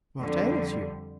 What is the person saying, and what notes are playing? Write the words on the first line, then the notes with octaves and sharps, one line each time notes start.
'What ails you?
F2 D3 G3